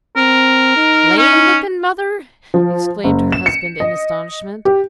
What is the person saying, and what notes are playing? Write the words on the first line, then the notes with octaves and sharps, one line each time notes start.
"PLAIN LOOKING, mother?" exclaimed her husband in astonishment.
C4 A#4
D#4
C#4
F3
F#1
E7
C#7
D#5
G4